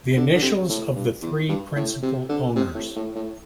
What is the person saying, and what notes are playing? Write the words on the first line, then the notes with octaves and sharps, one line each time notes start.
The Initials of the Three principal owners.
D3
D3
C3
A2
G2
E2
G2
A2
C3
D3
C3
A2
A2
A2